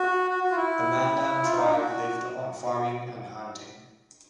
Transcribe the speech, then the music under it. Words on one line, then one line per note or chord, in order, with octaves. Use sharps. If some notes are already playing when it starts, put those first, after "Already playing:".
The Mandan tribe lived on farming and hunting.
Already playing: F#4
F#4
F#4
F4
E4
F4
D#4
D4
F#4